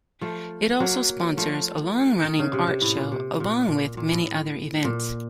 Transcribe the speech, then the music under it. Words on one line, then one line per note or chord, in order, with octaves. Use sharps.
It also sponsors a long-running art show along with many other events.
F3 A3
F#3 A#3
F3 A3
D#3
C#3
C3
C3
A2
A#2
C3
A#2
A#2
A#2
A2
A#2